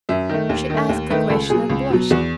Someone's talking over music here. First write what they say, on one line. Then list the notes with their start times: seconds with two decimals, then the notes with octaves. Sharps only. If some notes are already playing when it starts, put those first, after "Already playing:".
She asked the question and blushed.
0.09 F#2 E5
0.29 D#3 A3
0.49 D#2
0.70 D#3 A3
0.89 D#2
1.10 D#3 A3 B4
1.30 C#2 A4
1.50 B2 F#3 G#4
1.70 C#2
1.90 B2 F#3
2.10 E2 F#4